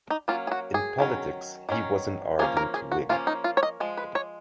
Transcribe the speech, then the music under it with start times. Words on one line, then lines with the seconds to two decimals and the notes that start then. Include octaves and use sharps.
In politics he was an ardent Whig.
0.10 D#4
0.28 F#3 A#3 C#4 F4
0.47 G#4
0.51 F#4
0.74 G#4
0.98 D#3 F#3 C#4
1.69 D#3 F#3 C#4
2.39 F3 A#3 C#4 G#4
2.57 A#4
2.74 G#4
2.92 F#4
3.09 F3 A#3 C#4 F4
3.27 D#4
3.44 F4
3.57 C#5
3.63 D#5
3.80 F3 G#3
3.97 B4
4.15 C#5